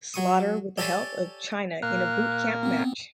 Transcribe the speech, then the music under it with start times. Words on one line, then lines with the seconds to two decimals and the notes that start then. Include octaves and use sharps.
Slaughter with the help of Chyna in a Boot Camp match.
0.14 F#3 C#6 D#6
0.78 G4 A4 C#5 D5 G#5 A5
1.83 A#2 A#3 F5 F#6
2.63 B3 C4